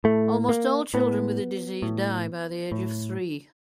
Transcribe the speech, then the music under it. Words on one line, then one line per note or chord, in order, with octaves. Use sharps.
Almost all children with the disease die by the age of three.
A2 A3
A#3
A2 B3
A2
A2